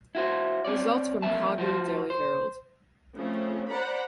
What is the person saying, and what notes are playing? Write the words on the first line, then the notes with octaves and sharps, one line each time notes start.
Results from "Calgary Daily Herald".
E4 F#4 C5
B3 C4 C#5 D5
F2 F#3 A#3 E5 A5
F3 F#4 C5
C5
C#3 F3 A3 C4 C#4
C5 D5 F#5 A#5 B5